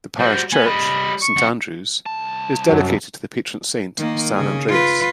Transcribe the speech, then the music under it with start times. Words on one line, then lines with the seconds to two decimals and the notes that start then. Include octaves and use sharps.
The parish church, Saint Andrew's, is dedicated to the patron saint, San Andreas.
0.19 G3 F#4 C5
0.53 B3 G#5
0.66 G3 D#5 B5
1.22 C#6
1.36 F2 F#5
2.06 C2 A5
2.69 F#2 F#3
3.99 D#3 A#3
4.36 C#3 G#4
4.69 F4 B4